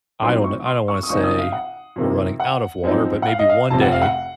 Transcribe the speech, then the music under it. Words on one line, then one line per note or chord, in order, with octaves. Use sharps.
I don't kn I don't wanna say we're running out of water, but maybe one day,
A#1 A2 F#3 C4 D#4 C6
C#6
C6
C#6
D#6
C#2 C#3 F3 C4 D#4 C#6
D#6
F5
F#5
F2 C3 D#3 A#3
F#5
F#2 F3 C4 D#4
F#5
F5
D#5
F5
F1 F2 C3 F3 A5
F#5
F5
F#5